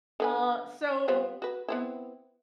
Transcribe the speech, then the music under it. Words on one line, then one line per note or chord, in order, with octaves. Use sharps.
Uh, so
D3 B3 G#5
G3 B3 F4
F#4 B4
B3 C4 E4